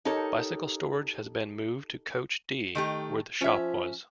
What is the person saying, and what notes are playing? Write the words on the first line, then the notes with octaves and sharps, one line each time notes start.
Bicycle storage has been moved to coach D where the shop was.
D#4 G4 A4 A#4 C#5
D#3 A3 G4
F3 C#4 E5